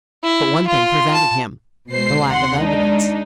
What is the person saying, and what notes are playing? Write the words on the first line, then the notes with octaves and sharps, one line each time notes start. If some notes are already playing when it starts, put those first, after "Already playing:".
But one thing prevented him:--the lack of evidence.
E4
F4 C6
A5
B2 G#3 C5 C7
D#2 C3 F#5 C6
G#3 D4 D#4